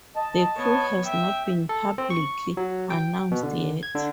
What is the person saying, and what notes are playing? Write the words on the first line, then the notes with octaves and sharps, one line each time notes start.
The crew has not been publicly announced yet.
D#5 A5
B3 C#5
E5 G5
A4
C4
C#6
F#3
G5
B2
D3
G#6
D3